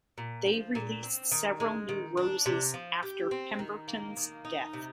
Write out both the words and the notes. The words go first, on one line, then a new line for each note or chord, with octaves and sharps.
They released several new roses after Pemberton's death.
A#2
F3
A#2
C4
D#3
G#3
D#3
D4
C3
F3
G4
C4
D#3
A#3
D#3
D#4
C3